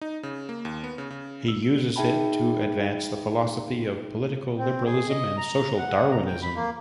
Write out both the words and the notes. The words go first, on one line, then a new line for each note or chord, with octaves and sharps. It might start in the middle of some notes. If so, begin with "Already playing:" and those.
He uses it to advance the philosophy of political liberalism and social Darwinism.
D#4
C#3
A#3
D#2
B3
C#3
C#3
E6
D7
D#4 G#4 E5 G5 A5 B5
C4
G#4
D#5
A#5
F#5
A#5
G5
B5
A#3